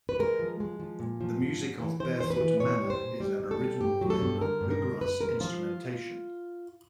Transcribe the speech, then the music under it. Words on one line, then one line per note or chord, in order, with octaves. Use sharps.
The music of Barefoot Manner is an original blend of bluegrass instrumentation.
B4
G#3 A#4
F3
G#3
F3
A#2
F3
G#2
G#2
E3
E3 C5
E3 C5
B4
E3
A#2 C#5
G3
C5
A#2
G3
G3
A4
G3
G2 G4
F#3
A4
G2
D3 A#4
G2
A#4
D3
F#2 B4
G#3 A#4
F3 F4